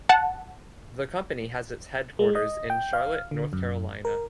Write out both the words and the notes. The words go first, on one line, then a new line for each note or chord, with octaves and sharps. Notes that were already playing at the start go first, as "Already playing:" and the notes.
The company has its headquarters in Charlotte, North Carolina.
F#5 A5
G#3
D#5
G5
F5
D3
F#2
A#4